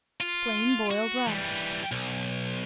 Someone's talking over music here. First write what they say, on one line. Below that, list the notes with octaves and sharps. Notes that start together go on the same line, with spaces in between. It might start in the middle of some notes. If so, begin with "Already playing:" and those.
Plain Boiled Rice.
F4
F#4
E3 G3
B1